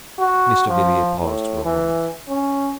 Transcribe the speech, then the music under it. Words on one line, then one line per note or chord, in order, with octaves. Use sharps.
Mr. Villiers paused for a moment.
F#4
F3
A2
E3
C#4